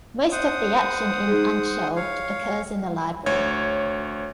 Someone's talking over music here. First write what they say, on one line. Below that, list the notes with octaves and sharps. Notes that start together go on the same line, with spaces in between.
Most of the action in "Unshelved" occurs in the library.
C5 F#5 D#6
D#4 G#4
C#5 F5
D2 C#5 G#6